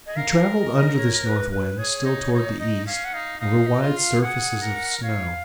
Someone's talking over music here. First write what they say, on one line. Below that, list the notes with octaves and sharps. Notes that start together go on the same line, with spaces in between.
He travelled under this north wind, still towards the east, over wide surfaces of snow.
G#4 D#5
A#4 F5
D#5
C#5
B4
B4
G#4 C#5
D#4
D#4
D#4 D#5
C#4 F5
F#5
D#4 F5
D#4 F5
D#5
F4
F5
G#4 F#5
A#4
C#5 F5